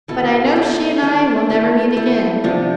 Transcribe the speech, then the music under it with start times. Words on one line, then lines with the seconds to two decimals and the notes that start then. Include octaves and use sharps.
But I know she and I will never meet again.
0.08 B2 B3 E4 A4
0.56 A3 E4 A4 C5
1.03 A3 E4 A4 C5
1.50 A3 E4 A4 C5
1.97 A3 E4 A4 C5
2.44 C3 F3 B3 D4